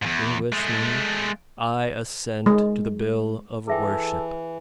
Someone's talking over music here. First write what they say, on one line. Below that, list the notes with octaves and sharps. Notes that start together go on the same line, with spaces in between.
"Englishmen, I assent to the Bill of Worship."
E2 G#2
G#3 A3
G#3
E3 G#4 A4 E5 G5